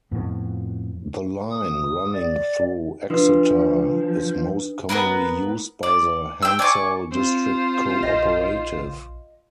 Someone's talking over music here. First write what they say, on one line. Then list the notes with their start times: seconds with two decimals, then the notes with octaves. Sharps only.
The line running through Exeter is most commonly used by the Hensall District Co-Operative.
0.11 F2 A2 F3 B3
1.51 D#6
2.15 D5
3.10 F3 D4 B4 D#6
4.89 B3 C4 A#4 B4
5.83 D5
6.42 G5 E6
6.59 D5 G#5 C#6
7.12 C4 F4 C5
8.03 A#1 D#5